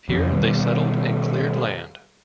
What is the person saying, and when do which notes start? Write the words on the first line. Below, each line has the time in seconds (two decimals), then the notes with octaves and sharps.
Here, they settled and cleared land.
0.09 F2 C#3
0.32 B2 D#3 G3 B3